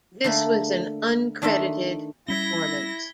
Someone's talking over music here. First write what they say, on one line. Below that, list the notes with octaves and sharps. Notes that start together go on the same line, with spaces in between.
This was an uncredited performance.
D3 A3 A#3
D#3 D4 A4 E5 C6
G3 C#4 E4 G#6 A#6 B6 G7